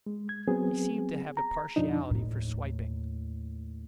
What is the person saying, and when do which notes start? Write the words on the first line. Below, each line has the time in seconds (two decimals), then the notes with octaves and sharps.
He seemed to have a partiality for swiping.
0.06 G#3
0.29 G#6
0.48 F#3 B3 C4 G#4
1.37 A#5
1.76 F2 B2 F3 D4 D#4
2.11 D#2 A2